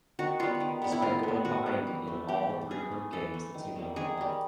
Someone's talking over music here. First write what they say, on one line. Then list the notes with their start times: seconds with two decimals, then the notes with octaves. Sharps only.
Despite going behind in all three group games, the team won them all.
0.19 D#3 F#4
0.39 G3 B3 F4
0.60 D#3
0.82 G3 B3
0.92 E4
1.02 D#3 F4
1.23 G3 B3
1.45 D#3 F#4
1.66 G3 B3
1.87 E3
2.07 A3
2.28 E3 G4
2.50 A3
2.70 E3 G#4
2.91 A3
3.13 E3 A4
3.34 A3
3.54 D#3
3.76 G3 A#3
3.96 D#3 G#4
4.17 G3 A#3